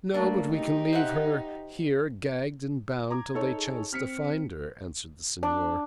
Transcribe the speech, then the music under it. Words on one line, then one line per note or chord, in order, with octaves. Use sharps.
"No; but we can leave her here gagged and bound till they chance to find her," answered the señor.
F#3 A3 A#3 D4
D#4 G4
C5 E5 F#5
A#5 D6 G#6
D#4 A4 C#5
G#4
C4 F6 B6 C#7
D4